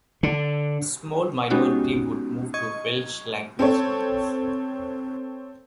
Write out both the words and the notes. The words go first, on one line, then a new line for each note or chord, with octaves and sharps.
A small minority would move to Welsh language names.
D3
G#3 B3 C#4 D#4 F#4 G4
D#5 C#6 G#6
C4 A4 C#5